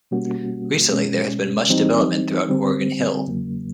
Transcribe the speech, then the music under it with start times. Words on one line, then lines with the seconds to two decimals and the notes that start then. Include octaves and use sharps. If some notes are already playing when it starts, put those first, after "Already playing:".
Recently, there has been much development throughout Oregon Hill.
0.11 B2 G3 A#3 C#4 F#4
0.91 B2 G#3 C#4
1.69 E3 G3 C4 D#4
2.49 D3 G3 C4
3.27 E2 C#3 F#3 A#3